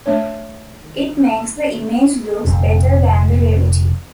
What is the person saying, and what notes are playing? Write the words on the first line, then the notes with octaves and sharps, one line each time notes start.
It makes the image looks better than the reality.
A3 D4 C#5
F1 F2 A#2